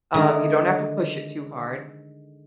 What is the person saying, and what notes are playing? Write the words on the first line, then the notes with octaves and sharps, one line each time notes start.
Um, you don't have to push it too hard.
D3 D#3 G#3 A3 G#4 A#4